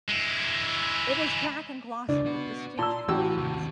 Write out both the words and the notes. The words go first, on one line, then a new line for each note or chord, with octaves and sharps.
It is black and glossy with distinct growth lines.
G#3 E4
C#2 D4
B3 F#4
A#2 A5 C6 E6
A1 E3 F#4 G4 E6
D#2 C3